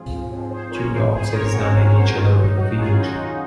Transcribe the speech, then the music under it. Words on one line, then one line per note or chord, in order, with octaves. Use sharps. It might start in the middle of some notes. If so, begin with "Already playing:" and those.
Two dogs examine each other in a field.
Already playing: G#2 F3 C4 F4 G#4
G#2 F3 C4
G#4 C5
A#4 C#5
C#3 F3 C4 G#4 C5
G#4 C5
A#4 C#5
C#3 F3 C4 F#4 A#4
C#5
C5
A#4
F#2 D#3 F#3 C#4 F4 G#4
D#4
D#4 F#4
F#2 D#3 F#3 C#4 F4 G#4
D#4 F#4
D#4